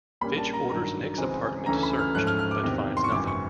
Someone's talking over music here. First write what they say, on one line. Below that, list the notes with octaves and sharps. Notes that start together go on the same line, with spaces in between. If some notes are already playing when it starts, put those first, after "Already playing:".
Fitch orders Nick's apartment searched, but finds nothing.
A#1 A#2 G3 A#3 C#4 B5
A5
A#5
G2 D#3 F#3 A#5
C#2 C#3 E3 G#3 C4
D2 C#3 E3 A3 C#4 A#5
B5
F6
G#2 F3 A3 C#4 F#6
F6
F6
D6
E2 C3 D#3
C6
C#6
G#1 F#2 C#3 E3 D6
C#6